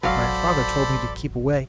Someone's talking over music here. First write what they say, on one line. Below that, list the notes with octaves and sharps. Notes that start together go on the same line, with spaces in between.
My father told me to keep away.
E1 A1 F#3 A4 C5 D5 F5 B5